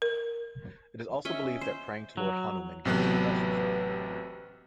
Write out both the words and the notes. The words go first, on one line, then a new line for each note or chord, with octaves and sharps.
It is also believed that, praying to Lord Hanuman, gives the best result.
A#4
C#4 D#5 E5
C5
F#3
A1 C3 F#3 B3 B4 F#6